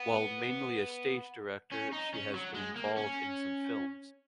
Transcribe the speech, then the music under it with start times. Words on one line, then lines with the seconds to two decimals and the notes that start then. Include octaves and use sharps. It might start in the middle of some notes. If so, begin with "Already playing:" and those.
While mainly a stage director, she has been involved in some films.
Already playing: B3
1.72 C#4
1.93 D#4
2.14 C#4
2.34 F#3
2.54 G#3
2.76 A#3
2.96 C#4